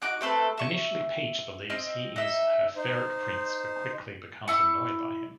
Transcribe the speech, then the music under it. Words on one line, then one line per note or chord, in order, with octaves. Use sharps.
Initially Peach believes he is her ferret prince, but quickly becomes annoyed by him.
D#4 F#4 D6 F#6
A3 C4 A4 B4
E5 C#6
C4 D#5 F6
D#4 E5
D#4 C5
E4 C#6